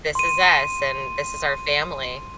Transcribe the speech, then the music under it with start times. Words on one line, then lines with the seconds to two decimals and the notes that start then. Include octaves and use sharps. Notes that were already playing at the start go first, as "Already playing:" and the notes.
this is us, and this is our family.
0.15 C6 D#7